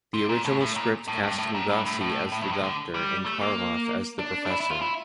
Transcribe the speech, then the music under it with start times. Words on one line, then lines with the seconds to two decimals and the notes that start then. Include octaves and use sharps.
The original script cast Lugosi as the doctor and Karloff as the professor.
0.14 C3
0.29 A#2
0.45 A2
0.61 A2
0.76 A#2
1.07 A2
1.23 G2
1.38 A2
1.55 A#2
1.70 G2
1.85 A2
2.01 A2
2.32 A2
2.42 G2
2.53 A2
2.63 D3
2.94 G3
3.26 A3
3.41 A#3
4.19 D4
4.46 D4
4.50 E4
4.60 E4
4.71 F4
4.82 E4